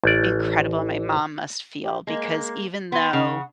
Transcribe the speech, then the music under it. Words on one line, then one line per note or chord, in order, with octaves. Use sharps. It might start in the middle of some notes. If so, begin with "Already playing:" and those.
incredible my mom must feel because even though
A1 D5
G4
G#3 A#3
B3 C6
C#3 F#5